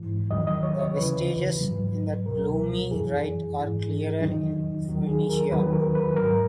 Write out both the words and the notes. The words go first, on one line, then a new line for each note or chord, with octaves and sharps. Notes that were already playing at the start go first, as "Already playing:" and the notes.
The vestiges in that gloomy rite are clearer in Phoenicia.
Already playing: G#2 E3
D#2 D#3 F#3 D#5
D#5
C#5
C#5
D#2 C#3 E3 B4
G#2 F#3
C#2 B2 F#3 A#4
F#2 E3 G#4
G#2 E3
E2 D#3 F#3 D#4
D#2 D#3 F#3
G#4
A#4
D#2 D#3 F#3 B4
A#4
B4
G#2 F#3 A#4